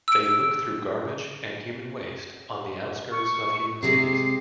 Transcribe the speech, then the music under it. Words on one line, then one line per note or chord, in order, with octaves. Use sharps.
They look through garbage and human waste on the outskirts of human cities.
E6 D7
C#6
C3 G#3 C7